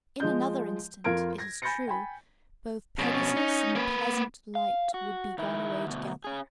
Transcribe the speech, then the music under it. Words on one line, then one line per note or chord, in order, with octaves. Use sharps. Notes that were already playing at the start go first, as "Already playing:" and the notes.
In another instant, it is true, both Pegasus and the pleasant light would be gone away together.
F3 G#3 D#5 G6
F2 F4 A#4 G#6 D7
G#6 A#6
G#5 B5 G6 A6 A#6 C#7
G5 G#5 B5
F2 B2 C#4
D#4
A#3 B4
F5
F#4
D#3 E4
D2 B2
C#4 G#4